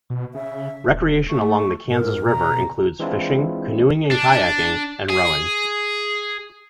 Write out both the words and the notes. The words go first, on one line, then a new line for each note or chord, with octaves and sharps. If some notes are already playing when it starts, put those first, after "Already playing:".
Recreation along the Kansas River includes fishing, canoeing and kayaking, and rowing.
B2
C#3 E5
D#1
A3 C#6
G#2 A#4
B2 A#5
E3 G#3 C4 D4 E4 F4
D4
G#4